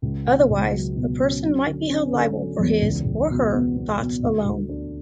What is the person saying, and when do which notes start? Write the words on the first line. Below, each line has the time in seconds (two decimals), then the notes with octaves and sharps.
Otherwise, a person might be held liable for his or her thoughts alone.
0.02 C#2
0.25 B2
0.50 C#2
0.72 F#3
0.96 B2
1.19 C#4
1.42 F#3
1.66 D3
1.89 C#4
2.13 D3
2.35 F#3
2.59 E2
2.82 C#2
3.05 C#2
3.29 B2
3.53 B3
3.76 B3
3.99 B2
4.23 D2
4.45 D2
4.69 D4